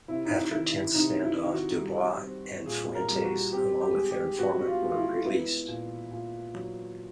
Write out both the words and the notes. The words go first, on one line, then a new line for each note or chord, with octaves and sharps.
After a tense standoff, DuBois and Fuentes, along with their informant, were released.
C3 E4
D#4
E4
D#3 E4
E4
C3 D#4
E4
D#3
F#4
G3
C4
A#2 G#4
A#4
G3
F#4
C4 G4
G4
G#3
G4
C4 F#4
F#4
F4
G#3
F4
E4
B3 E4
A#2
A#2
F#3